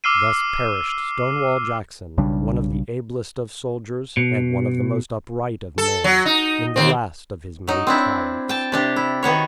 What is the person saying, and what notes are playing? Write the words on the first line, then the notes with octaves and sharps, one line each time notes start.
Thus perished Stonewall Jackson, one of the ablest of soldiers and one of the most upright of men, in the last of his many triumphs.
D6 E6 F6 C7 D#7
B1 C#3 G3 D4
B2
A4
F#3
D#4
D#2 C3 C4
F#3 D#4
C4 D4 E4
G5 A5
C3 D4 G4
E4
D#3 B3 F#4 C#5